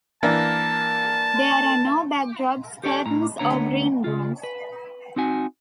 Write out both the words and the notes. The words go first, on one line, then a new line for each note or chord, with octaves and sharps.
There are no backdrops, curtains or green-rooms.
E3 A#3 D4 A5
G4 A4 C#5 D5 G#5 A5
A2 A#5
D2 B3 D4 C#5 A#5
C#3 F4
B4
C4 D#4 F#4 G#5